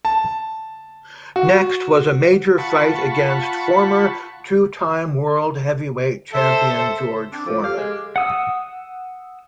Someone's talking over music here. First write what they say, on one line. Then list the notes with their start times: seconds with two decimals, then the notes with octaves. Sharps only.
Next was a major fight against former two time world Heavyweight champion George Foreman.
0.05 A5
1.36 F#4
2.58 F4 F#5 A5 B5 C#6
6.34 A4 C5 E5
7.32 C4 D4
7.46 F3 A4 D6
7.64 G4 F5
7.77 G#3
8.16 F#5 D#6 E6